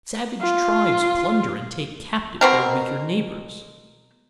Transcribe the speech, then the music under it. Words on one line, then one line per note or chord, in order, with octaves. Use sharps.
Savage tribes plunder and take captive their weaker neighbors.
F4
B2 C4 A#4